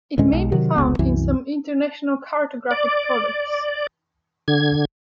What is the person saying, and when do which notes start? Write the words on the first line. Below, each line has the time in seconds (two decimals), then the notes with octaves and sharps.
It may be found in some international cartographic products.
0.18 D2 A2 G#3 C#4
0.33 B1 G#3
0.52 C3 D#3 F#3
0.76 F1 C#2 B3
0.99 C2 F#2 E3
2.71 D5
4.48 D3 G#6